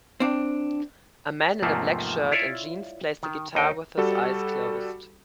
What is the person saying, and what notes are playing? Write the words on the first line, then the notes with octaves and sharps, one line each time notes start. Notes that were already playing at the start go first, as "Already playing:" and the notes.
A man in a black shirt and jeans plays the guitar with his eyes closed.
C4 D4
E2 G#2 C3 F3 A3 A#3
E4 F4 C#5 D5 E5
D#3
D#2 D#4 G5
G3 F#4 A4